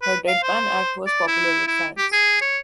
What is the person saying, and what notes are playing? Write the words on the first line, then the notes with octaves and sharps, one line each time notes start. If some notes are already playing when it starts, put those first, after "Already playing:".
Her deadpan act was popular with fans.
B4
F5
C5
D5
E4
E4
G4
G#4
C#5